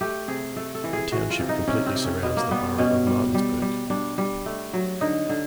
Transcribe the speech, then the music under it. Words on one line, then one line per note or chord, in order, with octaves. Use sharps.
The township completely surrounds the borough of Martinsburg.
A3 G4
C3 G#4
A3 A4
A4
E3
G#4
E3 F#4
F4
C3
D#4
C3 C#4
C4
C3
C#4
B2 B3
A#3
G3 B3
B2 C#4
G3
G3
G3
G3 D4
G3
A3
F#3
D3 D#4
D3